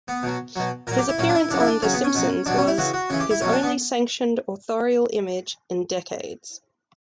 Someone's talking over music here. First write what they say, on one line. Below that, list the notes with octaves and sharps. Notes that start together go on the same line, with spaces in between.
His appearance on The Simpsons was "his only sanctioned authorial image in decades".
B3
B2 F#3
B2 F#3
A#2 F#3 A#4
G4
E4
A#2 F#3 C#4
D4
E4
C#3 F#3 D4
E4
D4
C#3 F#3 C#4
B3
C#4
B2 F#3
B2 F#3 D4
C#4
E4
C#3 E3 F#4
F#4
C#3 E3 C#4
G4
E4
B2 F#3 C#4
D4
B3